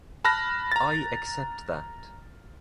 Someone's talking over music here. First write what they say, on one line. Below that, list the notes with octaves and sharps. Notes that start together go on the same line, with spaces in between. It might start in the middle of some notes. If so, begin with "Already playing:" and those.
I accept that.
A5 B5 F6 F#6 A#6
A#5 A6